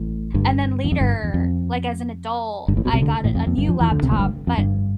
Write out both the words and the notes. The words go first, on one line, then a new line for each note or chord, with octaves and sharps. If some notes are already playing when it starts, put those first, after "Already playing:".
and then, later, like, as an adult, I got a a new laptop, but
Already playing: A1 A2
G1 G2
E2
F2
G1 G2
E2
F2
G1 G2
A1 A2
B1 B2
C2 C3
D2 D3
A1 A2
F2
F2
G1 G2
F2 F3
E2 E3
D2 D3
C2 C3
A1 A2
G1 G2
F2
G1 G2